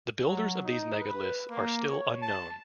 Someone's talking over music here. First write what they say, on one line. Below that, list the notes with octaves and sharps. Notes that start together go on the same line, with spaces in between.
The builders of these megaliths are still unknown.
F#3
D#4
B4
A#3
C#5
A5